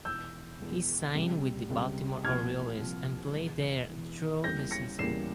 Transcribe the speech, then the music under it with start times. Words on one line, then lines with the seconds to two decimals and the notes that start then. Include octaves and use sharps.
He signed with the Baltimore Orioles and played there through the season.
0.05 E1 E2 E3 E6 G6
0.60 E1 E2 E3
1.15 C#2 C3 G3
1.70 C#2 C3 G3
2.24 C2 A#2 F3 C4 F6 G#6
2.79 C2 A#2 F3 C4
3.35 E1 E2 E3
3.89 E1 E2 E3
4.44 E2 C#3 G3 A#3 E4 G6 A#6
4.71 A#6 C#7
4.98 E2 C#3 G3 A#3 E4 C7 E7